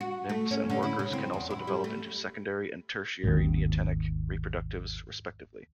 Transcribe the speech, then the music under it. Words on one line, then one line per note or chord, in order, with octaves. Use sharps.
Nymphs and workers can also develop into secondary and tertiary neotenic reproductives respectively.
F#4
A3
C#4
D3
E4
C#3
C4
E2
E4
G3
A3
G#1 D#2